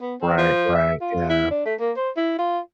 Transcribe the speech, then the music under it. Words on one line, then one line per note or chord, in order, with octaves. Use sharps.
Right. Right. Yeah.
B3
C4
F3
E5
F4
E4
D4
A3
A#3
C5
E4
F4